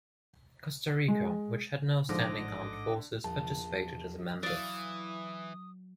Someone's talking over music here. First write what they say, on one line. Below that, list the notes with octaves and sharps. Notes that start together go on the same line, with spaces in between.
Costa Rica, which had no standing armed forces, participated as a member.
G#3
A1 G#2 D3 F3 D#5 D6 A#6
A#1 E2 A5
E3 F#3 D5 F5 D#6